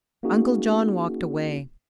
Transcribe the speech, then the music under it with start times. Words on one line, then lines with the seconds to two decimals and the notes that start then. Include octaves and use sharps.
Uncle John walked away.
0.23 A#3 C#4 D#4 F#4 G#4